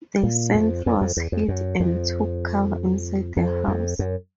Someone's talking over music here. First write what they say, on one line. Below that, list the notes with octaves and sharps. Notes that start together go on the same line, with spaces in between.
The sentry was hit and took cover inside the house.
A#2
F2
F2
F2
E2
F2
F#2
F2
F2
F2
F#2